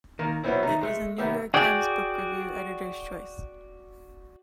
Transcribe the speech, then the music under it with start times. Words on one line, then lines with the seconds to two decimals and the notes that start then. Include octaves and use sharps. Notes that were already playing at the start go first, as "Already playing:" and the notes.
It was a "New York Times Book Review" editors choice.
0.19 D#3 A#3
0.44 F#3 G3 A3 B3 C4 E4
0.63 D#3 A3 D#4
0.81 G#3 A3
1.18 B1 D#3 B3 G4 E5
1.54 F#4 G#4 D5 G5